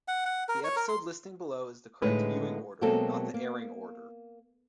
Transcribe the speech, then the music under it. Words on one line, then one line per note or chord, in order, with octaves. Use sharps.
The episode listing below is the correct viewing order, not the airing order.
F#5
F#5
A#4
C#5
A#4
C6
A2 D3 G#3 D#4 G#4 B4
B2 F#3 G#3 A#3 C4 A4
A#3